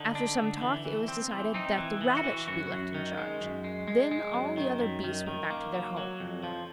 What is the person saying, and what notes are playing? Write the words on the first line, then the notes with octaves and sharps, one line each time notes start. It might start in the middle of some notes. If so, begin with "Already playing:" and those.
After some talk it was decided that the rabbit should be left in charge; then all the other beasts went back to their homes.
Already playing: D3 D#4
D4
D3
E3
E3
C4
E3
C4 D#4
E3
E3
F#4
E3
F#2 F#4
F#2
D#3
G#3
F#2
G#3
G#3
G#3
F#2
D#3
F#2
D#3
D#3
A#3
F#3
F#3
F2
F3